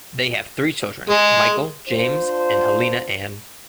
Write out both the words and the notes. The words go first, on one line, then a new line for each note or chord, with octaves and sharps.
They have three children, Michael, James and Halina Anne.
G#3
D4 F4 C5